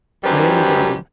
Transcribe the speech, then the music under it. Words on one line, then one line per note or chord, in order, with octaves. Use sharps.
I am done.
F#2 D#3 G3 G4 B4 C5